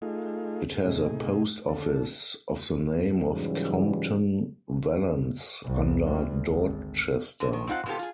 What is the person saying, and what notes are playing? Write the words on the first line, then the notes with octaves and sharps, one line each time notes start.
It has a post office, of the name of Compton-Vallence, under Dorchester.
A3 D#4 F4 G#4
A2 C3 D#4 G#4
D3 A4
G#2 C#3 E3 F#3 G3
C2
D2
G#1
D3
D#3
C4 D#4 F4 A#4 F#5
G#2 C3 B3 F4 G4 A4
F4 G#4